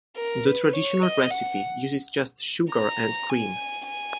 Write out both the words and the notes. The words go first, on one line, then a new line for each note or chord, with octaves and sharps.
The traditional recipe uses just sugar and cream.
A#4
B4
C#5
D#5
F#5
A#5
G#5
G#5